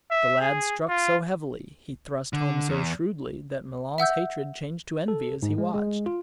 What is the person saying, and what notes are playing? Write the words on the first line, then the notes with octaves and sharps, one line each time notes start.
The lad struck so heavily, he thrust home so shrewdly, that Milon's hatred changed to envy as he watched.
E5
G#4
F4
D3
E2
E5 F#5 E6 G6
A4
G#2
G#3
G#3
F4